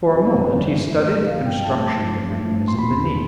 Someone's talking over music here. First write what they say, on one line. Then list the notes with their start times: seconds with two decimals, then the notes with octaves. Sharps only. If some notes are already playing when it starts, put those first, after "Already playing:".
For a moment he studied the construction of the mechanism beneath.
0.12 F2 C3 F3 B4
0.22 D5
0.32 C5
0.41 B4 D5
0.50 G2 D3 F3 C5
0.70 D5
0.89 A2 F3 E5
1.07 D5
1.26 G2 F3 F5
1.45 G5
1.64 A2 F3 A5
1.83 A5
2.03 A2 F3
2.40 A2 F3
2.68 C6
2.78 E2 B2 B5